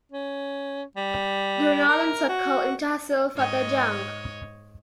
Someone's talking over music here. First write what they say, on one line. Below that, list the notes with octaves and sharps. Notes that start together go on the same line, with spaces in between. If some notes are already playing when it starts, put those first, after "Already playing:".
Dhurnal and Sadkal in Tehsil Fateh Jang.
C#4
G3
A#4
F#4
G#2 C#5 D#5